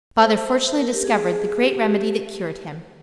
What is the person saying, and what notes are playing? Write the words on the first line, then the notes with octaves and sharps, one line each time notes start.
Father fortunately discovered the great remedy that cured him.
C5
C5
A#4
G4
G#4
G4
G4
G4